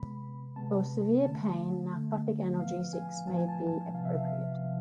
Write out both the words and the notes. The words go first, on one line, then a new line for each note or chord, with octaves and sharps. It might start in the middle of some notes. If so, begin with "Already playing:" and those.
For severe pain, narcotic analgesics may be appropriate.
Already playing: C3 G#3 B3 B5
C3 G#3 B3 A5
D3 A3 A5
D3 A3
A2 F3 B3 F5
G#5
A2 F3 B3 A5
G#5
A5
A5
C3 F3 B3 F5
E5
F5
C3 F3